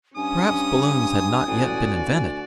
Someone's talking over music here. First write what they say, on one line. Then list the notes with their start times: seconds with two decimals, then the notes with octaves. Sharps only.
Perhaps balloons had not yet been invented.
0.16 G2 C#4 G#5 D#6
1.48 A1 F#4 D5
2.06 D2